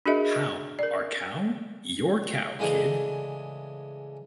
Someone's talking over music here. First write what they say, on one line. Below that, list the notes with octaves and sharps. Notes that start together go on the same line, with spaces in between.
How, our cow? Your cow, kid!
D4 F#4 G#4 A#4 D#5 E5
A#4 D5
A2 C#3 E3 G#3 D4 G#4